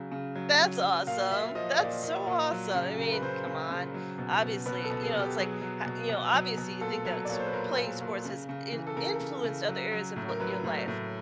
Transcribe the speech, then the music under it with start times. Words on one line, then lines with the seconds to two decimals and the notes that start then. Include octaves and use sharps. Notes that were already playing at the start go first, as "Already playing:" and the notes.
That's awesome. That's so awesome, I mean, come on obviously you know, it's, like, h you know, obviously, you think that sp playing sports has in influenced other areas of li your life,
Already playing: C#3 F#3
0.12 C#3
0.35 F#3
0.60 F#3
0.84 F#3
1.07 A#2 F5
1.31 A#2 E5
1.55 F3 D#5
1.79 A#2 D5
2.03 A#2
2.27 A#2
2.51 F#3
2.75 C#3
2.99 C#3 A#4
3.12 B4
3.22 C#3 C5
3.47 C#3
3.71 C#3
3.94 F#3
4.18 B2
4.42 B2
4.66 B2 B4
4.84 A4
4.90 B2
5.02 G#4
5.14 B2
5.20 G4
5.38 F#3 G#4
5.61 F#3
5.86 B2
6.09 B2
6.33 F#3
6.57 B2
6.81 A#2 A4
7.05 F#3
7.25 D5
7.29 A#2 C#5
7.39 C5
7.46 B4
7.53 A#2 A#4
7.77 A#2
8.01 A#2
8.25 C#3
8.49 C#3
8.72 E3
8.87 A4
8.97 C#3 A#4
9.20 C#3
9.44 C#3
9.68 F#3
9.92 F#3
10.16 A2
10.29 A#4
10.40 F#3 B4
10.64 A2
10.88 A2